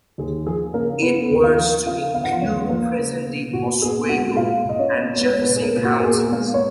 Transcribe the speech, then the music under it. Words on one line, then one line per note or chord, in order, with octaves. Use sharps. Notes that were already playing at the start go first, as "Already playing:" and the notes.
It was to include present day Oswego and Jefferson Counties.
D#2 G#4
F3 G#4
C#3 A#3 A#4
B3 B4
D#2
F4 F5
F3
C#3 F4 F5
B3 F5
F#5
F4 F5
D#2 C#4 C#5
B4
F3 A#3 A#4
C#3
B3
A#2 F#4
B3 G#4
G#3 F#4 F#5
A#2 F4 F5
A#2 D#5
C#4 C#5
B3
C#5
G#3 B3 B4
C#5
B3 B4
A#2
G#4
A#3 A#4
A#2
F#4
A#4
B3 G#4
G#3 A#3 A#4
C#5